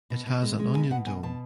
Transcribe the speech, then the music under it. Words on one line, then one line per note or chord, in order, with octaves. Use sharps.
It has an onion dome.
B2
B2
G#3
G#3
B2 G#5
B2 F#5
B2 G#5
B2 A5